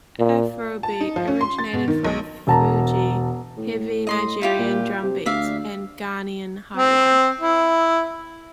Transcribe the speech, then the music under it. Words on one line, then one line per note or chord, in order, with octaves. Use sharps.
Afrobeat originated from Fuji, heavy Nigerian drumbeats, and Ghanaian highlife.
A#2
A5
D#4
F3
C#4
C6
A6
B2
D#3
B1
E1 A5 A#5
A2
D#5 C6 D#6
E4 F4 G4
A#2
C3
D2 D5 E5 F5
C4
E4